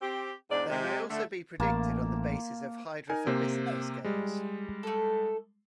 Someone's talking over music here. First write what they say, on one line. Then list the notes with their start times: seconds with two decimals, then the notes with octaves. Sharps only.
They may also be predicted on the basis of hydrophobicity scales.
0.01 C4 G4
0.51 E2 G#2 D4 D5
0.69 C3 G#3
1.09 D3 A3
1.60 A1 A#3 A5 C6
3.10 D#4 A#4 G#5
3.27 C3 A#3 C5
4.04 G3 G#3
4.83 A3 A4